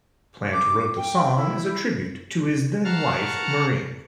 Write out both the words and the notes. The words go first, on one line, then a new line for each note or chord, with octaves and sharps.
Plant wrote the song as a tribute to his then-wife Maureen.
D6
G5
E4
F5 F#5 A5 A#5 C#6 F6